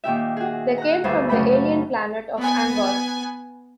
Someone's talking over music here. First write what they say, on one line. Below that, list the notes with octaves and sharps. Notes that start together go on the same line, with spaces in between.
They came from the alien planet of Angor.
A#2 D#3 G4 E5
F#4 G#4
A#5 F#6
D2 G2 G#4 B4 C5 E5
F#2 C#3 A3 C4 B5
B3 G#5